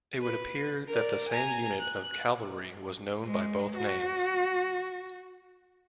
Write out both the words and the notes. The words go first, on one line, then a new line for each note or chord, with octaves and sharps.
It would appear that the same unit of cavalry was known by both names.
B4
A#4 D5
G#5 A#5
F#6
G#3
F#4